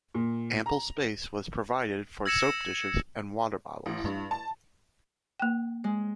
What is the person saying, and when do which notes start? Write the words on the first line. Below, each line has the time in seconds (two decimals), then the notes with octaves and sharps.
Ample space was provided for soap-dishes and water-bottles.
0.14 A#2
0.66 A#5
2.26 E6 G#6 A#6 C#7 E7
3.86 A1
4.05 G2
4.31 A5
5.40 A#3 G5
5.84 G#3